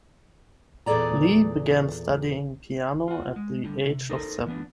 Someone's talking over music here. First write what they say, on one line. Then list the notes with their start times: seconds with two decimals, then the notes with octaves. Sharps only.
Li began studying piano at the age of seven.
0.86 E2 A#2 G#4 A4 D5 A#5
3.08 F4 F#5
3.36 G#3
3.64 D3 G3
3.85 C3
4.10 D#4 A4 A#4 C5 D5
4.46 E3 B3 D4